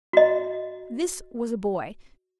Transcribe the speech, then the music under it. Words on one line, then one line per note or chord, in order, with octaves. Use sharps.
This was a boy.
F#4 D#5